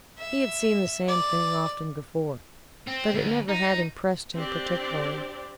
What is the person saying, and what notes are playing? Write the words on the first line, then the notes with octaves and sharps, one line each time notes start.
He had seen the same thing often before, but it never had impressed him particularly.
E5
D5
C4
D2
D#4
C4 D4 G4 D5